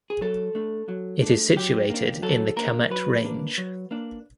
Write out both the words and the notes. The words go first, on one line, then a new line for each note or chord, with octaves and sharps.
It is situated in the Kamet range.
G#4
F#3 A4
A3 D4
F#3
A3 D4
F#3 G4
A#3 D4
F#3 A4
A#3 D4 A#4
F#3 B4
A#3 D4
F#3
A#3 D4